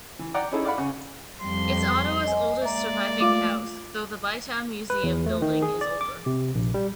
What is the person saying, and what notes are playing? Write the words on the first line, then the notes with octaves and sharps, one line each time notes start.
It is Ottawa's oldest surviving house, though the Bytown Museum building is older.
E3
D5 F#5 G5 A#5
C#4 D#4 E4 G#4 A4
D5 F5 F#5 B5
C#3 C#4 F#5
F2 G3 C6
D#5 G#5
G#3 A#3 D5 E5 A#5
A3 F4 F5 D6
B4
E2
A3
D#3
G#4
D5
D6
C3
A#1
G3